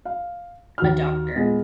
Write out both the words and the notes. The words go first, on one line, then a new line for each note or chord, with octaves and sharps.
a doctor.
F5
D#2 F#4 F6
A#2 G#3 B3 G#4